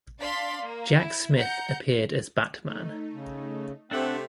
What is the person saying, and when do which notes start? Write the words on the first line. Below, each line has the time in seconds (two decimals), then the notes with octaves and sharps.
Jack Smith appeared as Batman.
0.21 D4 D5 F5 C6 B6
0.61 A#3
0.99 E4
1.36 F#5 A#5 G6 C#7
2.64 A3 D#4
3.13 C#3
3.91 C3 A3 C4 D4 A4 E5 F#5 G5